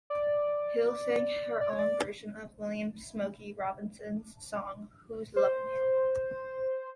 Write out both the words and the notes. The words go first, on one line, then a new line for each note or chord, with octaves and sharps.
Hill sang her own version of William "Smokey" Robinson's song "Who's Lovin' You?".
D5
D5
C#5
D5
C5